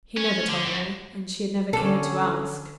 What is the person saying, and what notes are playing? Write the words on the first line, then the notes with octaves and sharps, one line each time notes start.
He never told her, and she had never cared to ask.
C#4
D3
F#2
D3 C#4 A4